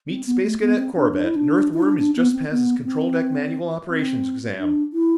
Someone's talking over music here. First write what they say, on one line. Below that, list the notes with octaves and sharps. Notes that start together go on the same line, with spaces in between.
"Meet Space Cadet Corbett--an Earthworm who's just passed his control-deck manual operations exam!"
C4
B3
A3
B3
C4
D4
D4
E4
D4
E4
D4
D4
B3
C4
B3
C4
C4
D4
E4